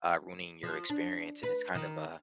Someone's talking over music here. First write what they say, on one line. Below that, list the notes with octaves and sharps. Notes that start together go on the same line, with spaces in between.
uh ruining your experience, and it's kind of a
F3
D4
B4
D#3